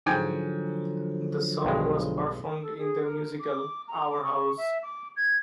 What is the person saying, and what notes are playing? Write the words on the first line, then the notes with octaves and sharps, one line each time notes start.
The song was performed in the musical, 'Our House.
G#2 D3 F3 F#3 G5 G#5
B1 G2 G#3
A4
G#4
A#4
D6
A#5
D6
C#6
E5
D6
G#6